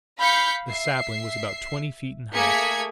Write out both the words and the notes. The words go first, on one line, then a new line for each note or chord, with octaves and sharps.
The sapling was about twenty feet in height.
F5 B5 G6 B6 C#7
E5 C7
A3 A#3 G#4 G#6 B6 C#7